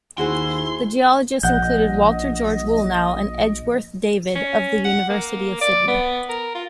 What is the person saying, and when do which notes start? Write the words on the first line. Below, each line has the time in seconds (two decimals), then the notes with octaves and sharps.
The geologists included Walter George Woolnough and Edgeworth David of the University of Sydney.
0.18 D#2 E4 F#4 G#4 C5 C6
1.43 A#1 D#5 F#5 G6
4.35 C#4
4.85 F#5
5.10 A#3
5.62 D5
5.88 B3
6.29 A#4
6.55 F4